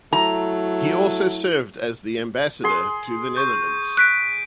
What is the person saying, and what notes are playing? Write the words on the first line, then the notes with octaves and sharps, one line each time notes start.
He also served as the ambassador to the Netherlands.
F#3 A3 E4 A#5
G#4 C6
C#6 G6
C#6 F#6 B6 D7